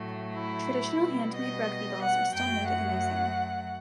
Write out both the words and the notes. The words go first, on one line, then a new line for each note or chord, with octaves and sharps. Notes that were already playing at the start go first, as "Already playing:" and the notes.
Traditional handmade rugby balls are still made at the museum.
Already playing: A2 F#3 A3
E4
B2 G3
D#5
F#5
F#2 F#3 A3 G5
F#5